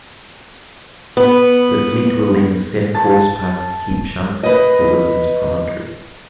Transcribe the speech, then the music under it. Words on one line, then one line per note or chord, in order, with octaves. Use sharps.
The fleet will then set a course past Cape Schank for Wilson's Promontory.
B3
A5
B4 D#5